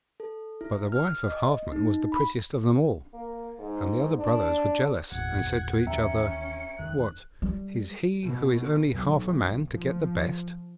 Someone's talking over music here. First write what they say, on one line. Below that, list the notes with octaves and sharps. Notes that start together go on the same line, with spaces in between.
But the wife of Halfman was the prettiest of them all, and the other brothers were jealous and said to each other: 'What, is he who is only half a man to get the best?
A4
E4
F6
D#5
D#4
B5
A#3
G#2
D4
G1 E2 A#2 F#5 G#6
D#2 E3 B3 C#4 E5 G5 A#5 C#7
E1 F#2 D#3 F#6
G3
B2
B1
F3